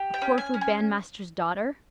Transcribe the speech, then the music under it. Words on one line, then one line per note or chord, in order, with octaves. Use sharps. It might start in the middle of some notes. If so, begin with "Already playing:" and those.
A Corfu bandmaster's daughter!
Already playing: G4
G5
C#4
G#5
C#4
G#5